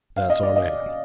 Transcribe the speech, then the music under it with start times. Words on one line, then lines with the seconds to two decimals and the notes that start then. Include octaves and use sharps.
That's our man.'
0.17 F5
0.30 D#5
0.43 D5
0.56 D#5